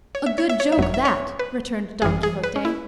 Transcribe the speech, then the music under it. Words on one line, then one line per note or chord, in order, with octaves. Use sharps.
"A good joke, that!" returned Don Quixote.
C#5
E5
C#5
E5
C#5
E5
G#1 F#2 F#3 C#5
E5
C#5
B4
G#1 F#2 E3 G#4
G#4
B4
C#4
E4